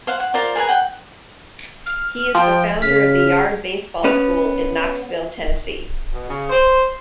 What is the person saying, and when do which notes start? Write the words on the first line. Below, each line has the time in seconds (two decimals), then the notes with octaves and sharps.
He is the founder of the Yard Baseball School in Knoxville, Tennessee.
0.07 C5 F5 F#5
0.20 F#5
0.34 F4 A#4 C5 D5
0.55 G#4 A#4 B4 G#5
0.68 F#5 G5
1.86 F6
2.35 F3 G5
2.82 C#3 F6 B6
4.04 B3 C#4 B4
6.13 B2
6.28 C#3
6.50 C5